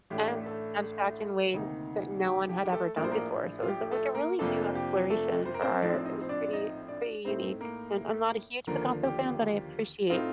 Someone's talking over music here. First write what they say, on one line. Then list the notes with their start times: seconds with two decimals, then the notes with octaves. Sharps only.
And abstract in ways that no one had ever done before, so it was a like, a really new exploration for art. It was pretty, pretty unique, and I'm not a huge Picasso fan, but I appreciate
0.10 A1 A2 A3 D4 G4
0.46 A3 A4
1.54 D2 C3 D#3 A#3 D#4
2.24 G4
2.49 G4
2.63 G4
2.72 A3 A4
2.96 A#1 A2 F3 A#3 D4 A#4
3.04 C5
3.11 A#3 A#4
3.62 F4
3.68 G4
3.91 A3 A4
4.15 A#3 A#4
4.39 F2 C3 F3 A3 A#3 D4 A4
4.75 G4
5.10 A3 A4
5.46 C5
5.54 A#4
5.62 C4 C5
5.81 A#1 A2 F3 C4 D4 D#4 D5
6.05 D#4 D#5
6.21 C5
6.29 D4 D5
6.44 D5
6.53 D#4 D#5
6.88 D4 D5
7.25 A2 A3 C4 D#4 C5
7.61 A#3 A#4
8.67 D#2 D3 F3 A#3 D4 A#4
9.04 G4
10.10 A2 A3 C4 D#4 F4